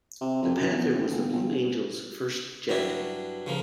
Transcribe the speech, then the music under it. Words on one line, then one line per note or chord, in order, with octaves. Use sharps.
The Panther was the Blue Angels' first jet.
C3
F2
F#2
E2
D#1
G1
G1
G2 F#3 D4 E4
C#3 F3 A#3